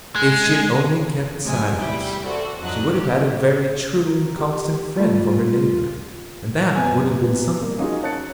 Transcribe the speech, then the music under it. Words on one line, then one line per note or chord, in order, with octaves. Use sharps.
If she had only kept silence, she would have had a very true and constant friend for her neighbour, and that would have been something.
G#3
G#1 A2 C3 F#3 G#3 G#5
E2 G3 E4 G5
F#4 A4 C5 D5
F2 D3 F#3 D#5 F#6
G4
A#4
G4
G3 A3 F4
F#2 C3 B3 G#5
C3 E3 B3
G3 A#3
C#4 D#4 F4 F#4 G#4 A#4
C#5 A5 F#6 A6 C#7